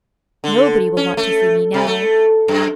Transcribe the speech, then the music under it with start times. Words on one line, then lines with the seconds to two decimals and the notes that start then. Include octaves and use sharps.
Nobody will want to see me now.
0.44 D3
0.97 C#4
1.17 A3
1.74 C3
1.87 A3
2.48 F#2